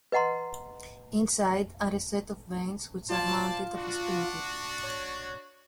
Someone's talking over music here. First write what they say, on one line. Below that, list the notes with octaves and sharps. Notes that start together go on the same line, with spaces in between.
Inside are a set of vanes which are mounted on a spindle.
B4 D#5 F#5 A#5 C6
F4 C5 D5 A5
D4 F#4
C#5